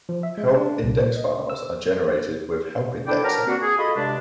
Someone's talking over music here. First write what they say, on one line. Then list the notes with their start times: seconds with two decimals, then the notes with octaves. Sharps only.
Help index files are generated with Help Indexer.
0.09 F3
0.23 E5
0.38 G#3
0.57 D4
0.83 C2
0.99 A#2
1.16 D#5
1.50 E6
3.07 D4 E4 A4 D5 G5
3.23 F#3 A#4 B4 A5 A#5
3.46 G3 A#3 C4 D4 F#4
3.62 G#4
3.78 F4 F#4 A4 D#5 B5
3.96 G2 C3 G#3 D4